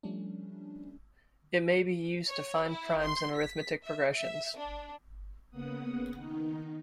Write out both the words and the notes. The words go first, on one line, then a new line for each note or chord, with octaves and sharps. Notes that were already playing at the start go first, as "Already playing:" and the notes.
It may be used to find primes in arithmetic progressions.
F3 G3 A3 C#4 D4
C#5
E4
C6
B6
E5
E5
D4
C#3 A#3 B3 F#5 D#6
D#3 D#4